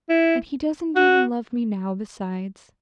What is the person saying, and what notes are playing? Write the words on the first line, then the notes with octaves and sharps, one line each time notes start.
"And he doesn't even love me now, besides."
E4
F#4